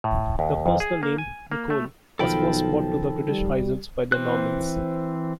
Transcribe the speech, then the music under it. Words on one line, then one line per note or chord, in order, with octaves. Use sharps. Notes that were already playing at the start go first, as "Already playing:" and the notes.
The personal name "Nicol" was first brought to the British Isles by the Normans.
A2
D#2
F2
G#4
A#3
G#5
A#3
A3
B1 D#3 F3 A4 G5 B5
G3
E3 C4 C5 F#6